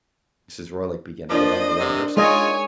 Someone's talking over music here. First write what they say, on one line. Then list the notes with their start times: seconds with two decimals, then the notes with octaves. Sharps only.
Mrs. Roylake began to get angry, on her side.
1.30 F3 A#3 D4 C5 D5 D#5
1.79 C3
2.17 G#3 F4 C#5 D#5 G#5